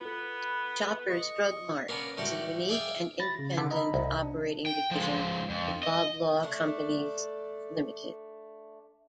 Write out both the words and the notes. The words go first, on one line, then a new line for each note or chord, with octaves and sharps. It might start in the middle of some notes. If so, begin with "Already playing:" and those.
Shoppers Drug Mart is a unique and independent operating division of Loblaw Companies Limited.
B3 F4 A4 B4
D#5 C#6
A#3 B3 C#4 D4
A2 D3 G3 F#4
G#4 D5 E5 F5 G5
B5 A6 A#6
C#3
D3 B3
D#5 A#5 B5
C2
D4
G5
F3 G#3
F2
D#5
A3 D4